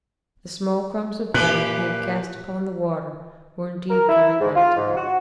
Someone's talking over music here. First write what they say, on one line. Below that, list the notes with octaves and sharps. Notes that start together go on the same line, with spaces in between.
The small crumbs of bread he had cast upon the water were indeed coming back to him.
A#2 E3 G4 B4 F#6
A#4
E4
G#2
F4
G#2
F#4